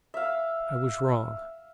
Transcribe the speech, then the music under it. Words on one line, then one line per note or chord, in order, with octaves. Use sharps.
I was wrong.
E5 F5